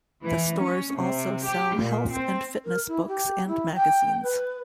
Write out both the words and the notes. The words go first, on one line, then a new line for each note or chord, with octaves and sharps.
The stores also sell health and fitness books and magazines.
E3
C#4
C3
G4
A#2
C4
A#4
E4
G4
E4
G5
B4